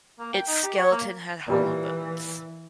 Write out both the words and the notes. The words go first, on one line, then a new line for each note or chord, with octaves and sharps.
Its skeleton had hollow bones.
A#3
G5
D#4
G4
C#5
A#3
A#2 E3 G3 A#3